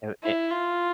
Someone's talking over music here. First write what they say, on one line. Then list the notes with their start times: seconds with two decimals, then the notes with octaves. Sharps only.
Er, it
0.23 E4
0.51 F4